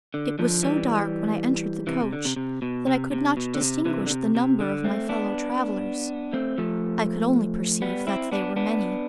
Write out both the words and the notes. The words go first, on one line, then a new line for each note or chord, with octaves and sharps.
It was so dark when I entered the Coach that I could not distinguish the Number of my Fellow-travellers; I could only perceive that they were many.
D3
D3 F3
E3 G3
C3 E3
C3
D3
C3
C3
B2
C3
C3
B2
D3
C3
C3 E3
D3
C3
C3
D3
A3 C4
B3 D4
A3 C4
F3 A3
G3 B3
C4 E4
B3 D4
B3 D4